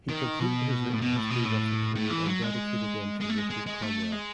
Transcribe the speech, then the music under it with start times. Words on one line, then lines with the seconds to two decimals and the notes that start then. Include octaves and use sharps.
He completed his written histories of the period and dedicated them to Richard Cromwell.
0.09 D#3
0.40 B2
0.93 A2
1.02 B2
1.17 A2
1.31 B2
1.45 A2
1.96 A2
2.10 E3
2.26 F#3
2.42 G#3
3.20 G#3
3.29 A3
3.37 G#3
3.50 G#3
3.66 G#3
3.82 A3
4.12 G#3